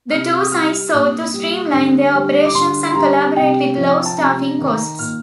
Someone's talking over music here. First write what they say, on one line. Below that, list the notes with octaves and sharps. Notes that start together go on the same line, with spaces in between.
The two sites sought to streamline their operations and collaborate with low staffing costs.
C3 F6
D#6
G3 F6
A#2 D#6
G3
D3
G3
D6
D3 C6
C6
G3 A#5
C3 G5
F3
A5
C3 A#5
D#3
A#2 F6